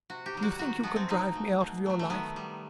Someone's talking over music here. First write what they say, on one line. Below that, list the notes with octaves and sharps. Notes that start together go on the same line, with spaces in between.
You think you can drive me out of your life.
C3 F#4
G4
D#3 G3
F#4
D#3 F#4
F#3 A3 B3
C4
B2 D#4
A3
B2
F#3 A3
A3
D#3 B3
G3